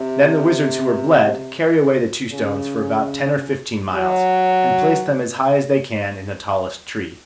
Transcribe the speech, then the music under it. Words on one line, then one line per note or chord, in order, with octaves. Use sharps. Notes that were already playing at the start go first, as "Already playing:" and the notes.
Then the wizards who were bled carry away the two stones for about ten or fifteen miles, and place them as high as they can in the tallest tree.
Already playing: C3
C#3
F#3